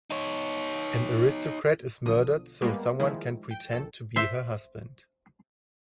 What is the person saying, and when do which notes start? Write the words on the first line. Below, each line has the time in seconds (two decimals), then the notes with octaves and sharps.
An aristocrat is murdered so someone can pretend to be her husband.
0.10 D#4 C#5
2.05 B1 D3 F3 D#6
2.62 G3 G#3 A#3 B3
3.00 D#3 F3 G#3 E4
3.51 G5
3.73 A#1 A4
4.16 C5 E5